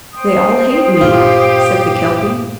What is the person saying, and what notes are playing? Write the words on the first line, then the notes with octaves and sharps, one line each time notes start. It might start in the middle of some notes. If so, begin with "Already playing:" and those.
"They all hate me," said the Kelpie.
C5 G5 D#6
G2 A#2 F4 G4